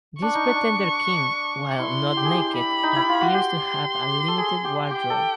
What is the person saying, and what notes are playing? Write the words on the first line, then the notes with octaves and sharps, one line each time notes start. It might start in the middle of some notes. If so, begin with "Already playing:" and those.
This pretender King, while not naked, appears to have a limited wardrobe.
D4 C#6
D#4
D4
E4 C6
G4
G#4
G4
B5
D#4
E4
F4
F#4
G4 C6
A4
G#4
G4
G4 G5
A4